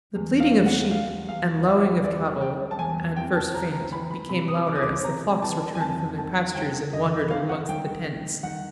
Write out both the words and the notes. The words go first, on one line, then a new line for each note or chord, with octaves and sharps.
The bleating of sheep and lowing of cattle, at first faint, became louder as the flocks returned from their pastures and wandered amongst the tents.
E2
F5
E2
F#5
G3 F5
E2 F5
E2 E5
G3 D5
G3 G5
A5
E2 G#5
F2 G5
A5
E3 A#5
A#5
E3 B5
B5
C3 B5
D#6
E3 D6
D#6
D6
C3 A#5
E3 A5
G#5
F2 A5
D#3 A5
D#3 G5
F#2 D#5
D#5
D#3 F5
F#5
D#3 G5
D#3
D#3 F#5